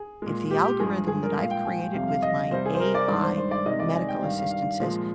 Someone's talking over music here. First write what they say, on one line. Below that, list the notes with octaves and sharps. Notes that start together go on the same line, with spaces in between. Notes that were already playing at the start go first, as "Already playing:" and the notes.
if the algorithm that I've created with my AI medical assistant says,
Already playing: G#4
A#2 G#3
G4
G4
G2 F3 G#3 G#4
G#4
A#4
A#2 G#3 F5
G5
G#5
G5
F2 C3 G3 F5
F5
D#5
C3 G3 C5
G#4
C5
A#4
D5
G2 D#3 G#3 D5
C5
C5
D5
C3 D#3 G#3 D#5
D5
G#5
G5
G2 D#3 G3 F5
F5
F5
A#2 F3 G#3